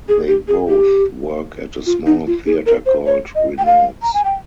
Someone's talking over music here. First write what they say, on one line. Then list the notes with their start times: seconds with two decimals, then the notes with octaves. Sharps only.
They both work at a small theatre called "Renaud's".
0.09 G#4
0.28 G4
0.48 G#4
0.68 G4
1.86 F4
2.06 D#4
2.27 F4
2.46 G#4
2.66 A#4
2.86 C5
3.06 C#5
3.35 D#5
3.58 G5
3.66 F5
4.02 A#5
4.14 G#5
4.25 G5